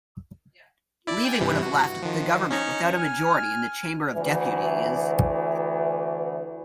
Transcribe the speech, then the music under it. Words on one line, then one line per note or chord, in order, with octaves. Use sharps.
Leaving would have left the government without a majority in the Chamber of Deputies.
E4 D5
G5 G#5
G2 C3 E3
F#4
D#3 F3
C#4 D#4 C#5
G#5 F6
D2 E3